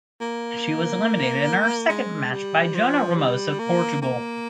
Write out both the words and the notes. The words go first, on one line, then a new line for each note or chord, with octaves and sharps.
She was eliminated in her second match by Joana Ramos of Portugal.
A#3
G#3
G3
F3
G3
A#3
A#3